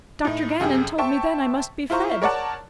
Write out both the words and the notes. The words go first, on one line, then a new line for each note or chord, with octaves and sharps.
Dr. Gannon told me then I must be fed.
A2 D#4
F1 F#2 G4 G#4
C5 E5 G5 A5 C#6
E4 F4 C5 A#5 C#6
A#4 C#5 D5 F#5 A5